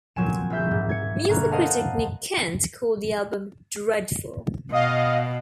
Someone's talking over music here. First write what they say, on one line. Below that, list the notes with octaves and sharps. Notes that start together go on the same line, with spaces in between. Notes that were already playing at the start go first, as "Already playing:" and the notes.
Music critic Nick Kent called the album "dreadful".
A#2 F3 F#3 C4 G#5 E7
A#1 F4 E5 G6
G#2
G#6 C#7
G1 B2 A#3 A#4 F#6 G#6
A#4 C5 D#5 F5 F#5 A5
B2 D#5 F5